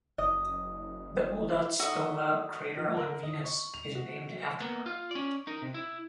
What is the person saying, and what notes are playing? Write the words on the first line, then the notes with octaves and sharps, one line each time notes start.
The Udaltsova crater on Venus is named after her.
F#1 D#5
D3 D#4 F#4 D#5 E5
F3
A#4
D#5
C#6
F7
F#4
A#3 B3
F4
C#4 D5
D#4 A#4
C3
E4